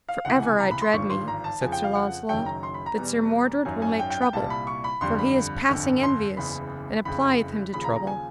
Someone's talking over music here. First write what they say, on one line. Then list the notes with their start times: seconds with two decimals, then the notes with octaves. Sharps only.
For ever I dread me, said Sir Launcelot, that Sir Mordred will make trouble, for he is passing envious and applieth him to trouble.
0.09 F5
0.25 C#2 C3 E3 F#5
0.43 G#5
0.60 A#5
0.71 B5
0.82 C6
0.93 G#1 G2 D3 F3 C#6
1.10 C6
1.28 A#5
1.44 A5
1.61 F2 C#3 F3 G#5
1.72 G5
1.84 F5
1.95 F#5
2.29 F#1 F#2 D#3 F#3 G5
2.46 A#5
2.63 C6
2.74 B5
2.86 A#5
2.97 E2 B2 G3
3.65 G#1 F#2 D#3 F#3 G#5
3.82 G#5
3.99 G5
4.10 G5
4.22 G5
4.33 C2 A#2 G3 A5
4.50 B5
4.67 C#6
4.84 B5
5.01 G1 F2 D3 G3 C6
5.19 B5
5.69 G1 F2 D3
6.03 C6
6.37 F#1 E2 C#3 B5
7.05 F#1 F2 C#3 B5
7.73 D#2 C#3 F3 B5
7.84 A#5
7.96 A#5
8.07 G#5